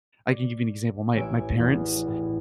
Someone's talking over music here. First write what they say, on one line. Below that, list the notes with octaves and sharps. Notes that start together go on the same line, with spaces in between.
I can give you an example, my my parents,
D5
A1 C#5 G#5 C#6 E6 D7
E2
A2